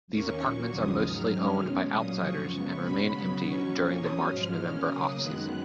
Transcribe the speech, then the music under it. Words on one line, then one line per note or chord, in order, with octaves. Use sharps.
These apartments are mostly owned by outsiders and remain empty during the March-November off-season.
D#2 D#3 A#3 C#4 C#6
A#2 F#3 A#3 C#6
D#2 C#3 F3 G#3 D#6
G#2 D#3 F#3 F6
F#2 D#3 G#3 C#4
B2 G#3 C#4
A#2 F#3 A#3 D#6
F#2 C#3 F3 C#6
C#3 G#3 B3
B2 G#3 C#4 B5
C#3 F#3 B3 B5
B2 F#3 C#4 C#6
B2 A#3 C#4
B2 F#3 C#4 D#6
G#2 F3 G#3 F6
B2 A#3 C#4 F6
C#3 F#3 A#3 D#6
F#2 D#3 G#3 B3 F#6